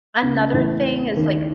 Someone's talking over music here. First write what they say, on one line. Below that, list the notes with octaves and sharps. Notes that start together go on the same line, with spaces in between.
Another thing is like
C#2 C#3
A1 A2
D#2 D#3